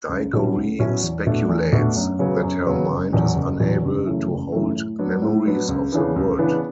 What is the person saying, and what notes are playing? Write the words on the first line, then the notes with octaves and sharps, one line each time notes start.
Digory speculates that her mind is unable to hold memories of the Wood.
C#2
B2 F#3 C#4 E4
C#2
B2 F#3 C#4 E4
E2
B2 A3 D4
E2
B2 A3 D4
F#2
C#3 F#3 B3
F#2
C#3 F#3 B3
F#1
E2 B2 F#3
F#1
E2 B2 F#3
F#1
F#2 C#3 E3 A3
F#1
F#2 C#3 E3 A3
A2
F#3 B3 D4
A2
F#3 B3 D4
C#2
C#3 E3 B3 D4
C#2
C#3 E3 B3 D4